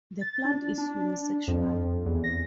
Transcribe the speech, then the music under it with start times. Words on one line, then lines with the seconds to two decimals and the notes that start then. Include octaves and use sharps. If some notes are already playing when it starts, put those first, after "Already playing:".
The plant is unisexual.
0.21 A6
0.45 D4
0.78 D4
1.48 F2
2.05 E2
2.24 A#6